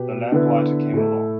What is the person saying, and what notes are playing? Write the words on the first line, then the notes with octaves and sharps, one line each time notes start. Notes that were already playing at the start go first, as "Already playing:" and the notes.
The lamplighter came along.
Already playing: B2 B3 G4 B4
D3 B3 E4 B4
A2 A3 E4 A4